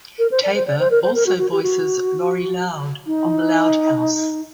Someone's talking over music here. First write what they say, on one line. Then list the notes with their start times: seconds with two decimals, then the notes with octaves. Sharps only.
Taber also voices Lori Loud on "The Loud House".
0.19 A#4
0.31 C5
0.43 D5
0.55 C5
0.67 D5
0.80 C5
0.91 A#4
1.03 C5
1.15 A#4
1.27 F#4
1.38 F#4
1.52 G4
1.63 F#4
3.07 D#4